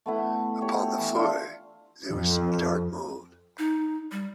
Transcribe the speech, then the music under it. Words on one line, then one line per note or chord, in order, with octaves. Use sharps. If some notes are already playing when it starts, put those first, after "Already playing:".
Upon the floor there was some dark mould.
A3 B3 E4
G4 C#5
E3
D4 F4 E5
F2
D#4
G3